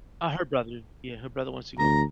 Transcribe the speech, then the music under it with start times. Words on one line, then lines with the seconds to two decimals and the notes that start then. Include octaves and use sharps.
Ah, her brother. Yeah, her brother wants to go.
1.79 D2 A#5